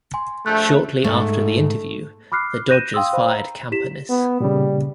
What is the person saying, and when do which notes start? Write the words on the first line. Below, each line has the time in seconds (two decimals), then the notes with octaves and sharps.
Shortly after the interview, the Dodgers fired Campanis.
0.14 G#5 C6
0.46 A#1 A3 F#6 G6
1.04 E2 G#2 A3
2.32 B5 D6 F6 F#6 C7
2.69 F#6 G6 A#6 D#7 E7
2.94 F5 G5 C6 D#6 E6
3.13 C5 F5 B5
3.29 A#5
3.72 E4 G4 B6 E7
4.09 B3
4.40 A#2 C#3 G3